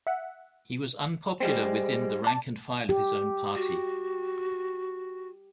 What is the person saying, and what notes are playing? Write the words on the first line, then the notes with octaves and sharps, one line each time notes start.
He was unpopular within the rank and file of his own party.
E5 F#5
G3 G#3 C4
D5 A5
G4
F#4